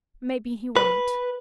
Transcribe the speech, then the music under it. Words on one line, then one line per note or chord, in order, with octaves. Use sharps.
Maybe he won't.
B4